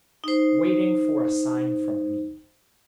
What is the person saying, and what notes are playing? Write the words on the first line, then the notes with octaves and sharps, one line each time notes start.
Waiting for a sign from me.
D#4 C5